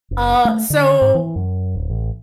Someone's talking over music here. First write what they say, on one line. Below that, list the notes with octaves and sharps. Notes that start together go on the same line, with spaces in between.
Uh, so
F#1
A3
D3
G#2
E3
F#2
D1
A1